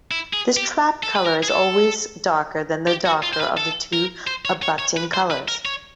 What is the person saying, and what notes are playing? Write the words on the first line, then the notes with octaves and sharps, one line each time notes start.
This trap color is always darker than the darker of the two abutting colors.
E4
G#4
G4
A4
B4
A#4
G#4
A4
G4
F#4
F4
C5
B4
A4
A#4
C5
C#5
C#5
C#5
B4
C5
B4
A#4
C#5